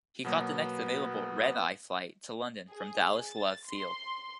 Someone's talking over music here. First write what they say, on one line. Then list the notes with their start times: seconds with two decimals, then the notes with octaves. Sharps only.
He caught the next available "red eye" flight to London from Dallas Love Field.
0.25 B2 F#3 A#3 B3
2.69 G#4
3.27 A6
3.68 C6